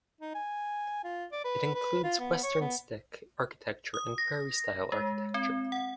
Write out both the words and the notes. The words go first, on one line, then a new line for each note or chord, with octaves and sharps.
It includes Western Stick architecture and Prairie style architecture.
D#4
G#5
F4
D5
B4
B4
F4
B3
C#5
B3
D#6
A#6
G#3
C4
F#5